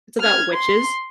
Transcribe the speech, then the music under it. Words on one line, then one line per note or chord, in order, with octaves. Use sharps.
it's about witches,
F6 G#6
C6